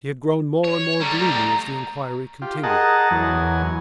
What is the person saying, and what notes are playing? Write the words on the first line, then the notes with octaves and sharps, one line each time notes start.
He had grown more and more gloomy as the inquiry continued.
C#5
G3 A3 A#5
F4 G4
G#4 A#4 D#5 F#5 A5
E2 F#3 G#5